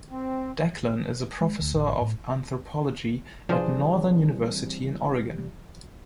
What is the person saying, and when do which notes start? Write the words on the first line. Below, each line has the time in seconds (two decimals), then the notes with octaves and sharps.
Declan is a Professor of Anthropology at Northern University in Oregon.
0.10 C4
1.41 G#3
1.61 D2
1.74 A1
2.01 A2
3.49 C3 E3 F3 G3 D4 G#4 C5